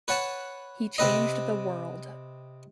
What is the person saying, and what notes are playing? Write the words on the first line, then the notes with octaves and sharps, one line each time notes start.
He changed the world.
B4 C#5 F#5 A5
C3 C4 B4 D#5